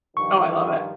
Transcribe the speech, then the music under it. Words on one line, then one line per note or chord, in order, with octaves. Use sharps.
Oh, I love it.
G2 D#3 F3 C#6